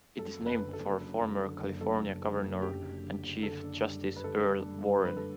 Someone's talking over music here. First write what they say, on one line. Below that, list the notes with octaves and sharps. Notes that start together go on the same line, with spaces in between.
It is named for former California Governor and Chief Justice Earl Warren.
F#2 A4
F#1
B4
D3
A4
F#1
F#2
F#1
D3
F#1
F#2 A4
F#1
D3
F#1
F#2 G4
F#1
D3
F#1
D3 A4
D4
G3
G2
B4
D3 A4
D4
G3
G2
D3 B4
A4